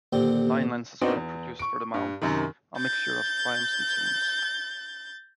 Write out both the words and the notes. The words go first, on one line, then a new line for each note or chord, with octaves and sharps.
Nine lenses were produced for the mount, a mixture of primes and zooms.
D#2 A#2 D3 C4 G4
B3 C4 D4 D#4 F#4
E2
C#6 D7
G2
F#2 C3 D#3
G6 A6